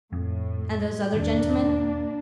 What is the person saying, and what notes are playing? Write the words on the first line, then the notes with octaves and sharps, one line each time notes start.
'And those other gentlemen?'
F2 A2
E1 D#2 G#2 A#3 D4